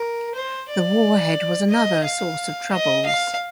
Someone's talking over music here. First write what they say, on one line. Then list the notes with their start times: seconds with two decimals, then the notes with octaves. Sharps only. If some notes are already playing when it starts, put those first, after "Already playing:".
The warhead was another source of troubles.
Already playing: A#4
0.35 C5
0.69 D5
1.71 D#5
2.04 F5
2.72 D#5
3.06 F5